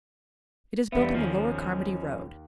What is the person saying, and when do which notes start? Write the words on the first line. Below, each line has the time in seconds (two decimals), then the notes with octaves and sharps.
It is built on the lower Carmody road.
0.92 E2 G3 B3 E5
1.15 D#2 F3 C#4